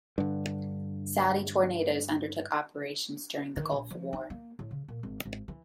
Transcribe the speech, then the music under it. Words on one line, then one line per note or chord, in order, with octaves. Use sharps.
Saudi Tornados undertook operations during the Gulf War.
G2 D3
D#3
A#1
F3
D#4
A#3
A2
C#3
A#2
G#1
G#1
E3